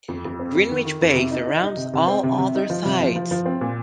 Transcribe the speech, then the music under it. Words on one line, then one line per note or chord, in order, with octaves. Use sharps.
Greenwich Bay surrounds all other sides.
F2
F2
C4
F2
D#3
D#3
F2
C3
D#4
D#4
D#4
C3
C3
C4
C3
C3
D#4
F3
C3
F3
F3
F3
C4
A#2